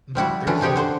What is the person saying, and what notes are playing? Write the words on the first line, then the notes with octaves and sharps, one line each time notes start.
Mhm. There's a
F3 G3 E4 F#4
D3 E3 C#4 D4 B4
C3 C4 G4 G#4 C#5
D3 F#4 C5